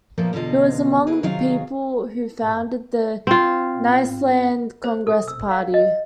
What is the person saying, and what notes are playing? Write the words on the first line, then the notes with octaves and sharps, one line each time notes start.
He was among the people who founded the Nyasaland Congress Party.
A#2 F3 A#3 B3 E4 F4
E2 B2 D3 G3 F4 D#5
A#3 G#4 B4
C3 D#3 F#3 F4 G#4 F5
C4 F4
C5
A4
E6
F5
D#5